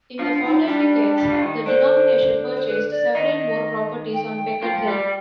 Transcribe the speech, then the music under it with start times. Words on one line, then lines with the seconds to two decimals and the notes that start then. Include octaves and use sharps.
In the following decades, the denomination purchased several more properties on Beacon Hill.
0.18 F3 D4 F4
0.44 D#4
0.67 G3 D4 G4
1.18 G3 G4
1.32 F4
1.41 D#3 D#4
1.66 D3 D4 C5
2.57 C5
2.65 B4
2.90 D5
3.14 D#3 D#4 D#5
4.13 G5
4.62 F3 F4
4.87 G3 G4